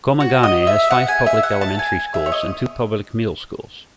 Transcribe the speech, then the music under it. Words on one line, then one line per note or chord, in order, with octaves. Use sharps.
Komagane has five public elementary schools and two public middle schools.
F#4
D#5
E5
F#5
G#5
E5
F#5
A5
G#5
E5
C#5
D#5